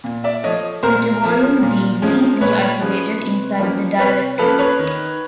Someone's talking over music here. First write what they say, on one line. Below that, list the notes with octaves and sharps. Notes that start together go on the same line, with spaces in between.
Let a volume d"V" be isolated inside the dielectric.
A#2
D5 E5
F3 A3 C#5 D#5
A#2 A#4 C5
F3 A3
A#2
F3 G#3 C#4
A#2 B4 C#5
F3 G#3 C#4
C3
F3 A#3 C#4
C3 B4 C#5
F3 A#3 C#4 A4 B4
B4 C#5
D#3